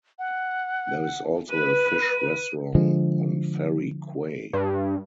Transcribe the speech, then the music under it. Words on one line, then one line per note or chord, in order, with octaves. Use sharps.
There is also a fish restaurant on Ferry Quay.
F#5
B4 D#7
D3 F3 G#3
G2